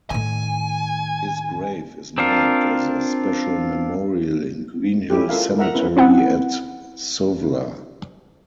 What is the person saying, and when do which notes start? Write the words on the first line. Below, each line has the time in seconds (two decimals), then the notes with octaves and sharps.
His grave is marked as a special memorial in Green Hill Cemetery at Suvla.
0.10 A2 D#3 G#5
2.18 C4 D4 F4 A#4
5.10 C#4 E4 G4
5.29 G#3 F4 A4 A#4 E5 F5
5.58 A#4 E5 F#5 A#5
5.74 B3 C#4 E4 B4
5.97 C4 E4 F#5